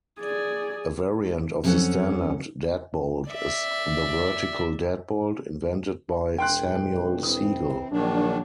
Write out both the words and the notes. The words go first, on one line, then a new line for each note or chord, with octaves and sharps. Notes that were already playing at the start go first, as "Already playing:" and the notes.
A variant of the standard deadbolt is the vertical deadbolt, invented by Samuel Segal.
G#4 D5
F2 F#3 C4 C#4 A4 F#5
D5 E5
E1 G5 C6 F#6
E3 C4 D#6
A#1 D#3 F#3 D4